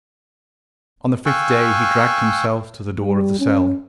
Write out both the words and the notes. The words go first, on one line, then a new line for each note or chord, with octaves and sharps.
On the fifth day he dragged himself to the door of the cell.
F5 G5 G#5 C#6 E6 F#6
G3
C#4